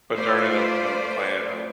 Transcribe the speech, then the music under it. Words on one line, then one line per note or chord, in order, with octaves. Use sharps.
put dirt in 'em and planted 'em.
A3 F4 B4 C5 D5